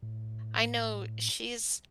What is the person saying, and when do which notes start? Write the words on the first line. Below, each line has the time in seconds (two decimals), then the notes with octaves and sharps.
I know she's
0.02 A2